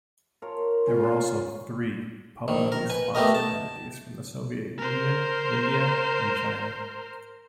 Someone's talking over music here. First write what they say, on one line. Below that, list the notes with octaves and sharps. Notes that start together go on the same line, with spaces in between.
There were also three publicly sponsored entities from the Soviet Union, India and China.
F4 A#4 C#5
C#4 F4
A#1 D#3
A#4
B4 G#5
A3 B3 G4 A#4 D#5
A5
A#4 C5